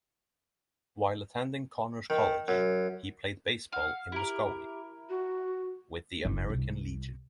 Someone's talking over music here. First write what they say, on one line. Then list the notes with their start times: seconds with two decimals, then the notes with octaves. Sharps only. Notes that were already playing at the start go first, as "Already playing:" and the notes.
While attending Connors College, he played baseball in Muskogee with the American Legion.
2.10 D#3
2.48 F#2
3.72 F5 F#5
4.12 E4 G4 A#4
5.09 F#4
6.25 F#1
6.50 C2